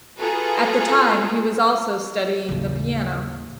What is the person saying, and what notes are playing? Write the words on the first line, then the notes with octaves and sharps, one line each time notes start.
At the time, he was also studying the piano.
F4 F#4 G#4 A4 B4 A#5
A1 D#2 C#3